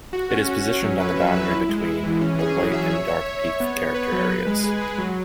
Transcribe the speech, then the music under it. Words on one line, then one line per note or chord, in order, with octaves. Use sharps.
It is positioned on the boundary between the White and Dark Peak character areas.
F#4
C#4
C#4
C#4
F#3
B4
E5
B4
E4
G#3
E4
E3
C#4
G#4
F#3
E5
C#5
C#5
C#5
C#5
B3
B3
B4
F#3
B4
G#3
G#4
G#4
F#3